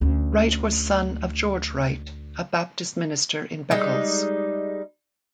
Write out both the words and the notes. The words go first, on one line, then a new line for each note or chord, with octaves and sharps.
Wright was son of George Wright, a Baptist minister in Beccles.
D2 C#4
G3 G#3 D#4